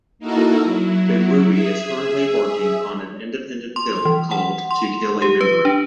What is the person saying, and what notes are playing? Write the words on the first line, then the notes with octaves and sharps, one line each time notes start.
Benrubi is currently working on an independent film called "To Kill a Memory".
A#3 D#4 E4 F#4 A4 A#4
F#3 E4
G#4 E5
C6
E3
F#5
C6
G4
B4
D4